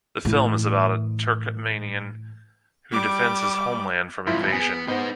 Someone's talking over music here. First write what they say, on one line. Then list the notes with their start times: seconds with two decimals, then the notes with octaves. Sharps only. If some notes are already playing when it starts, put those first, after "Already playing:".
The film is about a Turkmenian who defends his homeland from invasion.
0.25 A2 E3
2.92 G3 D6
4.27 F2 G#2 E4 F4 B5
4.52 B3 G#4
4.88 G#2 B3 D#4 C5